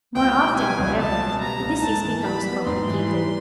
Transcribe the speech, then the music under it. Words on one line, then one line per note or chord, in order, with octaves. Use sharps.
More often, however, the disease becomes complicated.
C#2 G5
B2
G3 G#5
C#2
C#2 A5
B2
G3 A#5
C#2
G#2 A5
E3
G3 B5
B3
G#2 C6
E3
G3